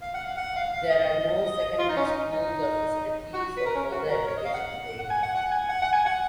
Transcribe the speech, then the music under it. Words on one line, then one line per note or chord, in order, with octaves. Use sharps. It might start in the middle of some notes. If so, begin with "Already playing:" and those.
There are no secondary schools or facilities for further education in the area.
F5
F#5
F5
F#5
F5
F5
D#5
F4
D#4
C#4
D#4
D#4
F#4
B4
A#4
C#4
F#4
A#4
C#5
D#5
F5
F#5
F#5
G#5
F#5
F#5
G#5
F#5
F#5
G#5
F#5